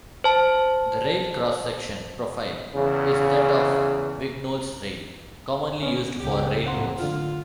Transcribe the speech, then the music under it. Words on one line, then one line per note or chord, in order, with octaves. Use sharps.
The rail cross-section profile is that of a Vignoles rail, commonly used for railroads.
C5 A5
E2 C#3
B3 C#4
C#2 C#3 G4
A2 A#3 C4 F#5 C6
F#2 D3 F4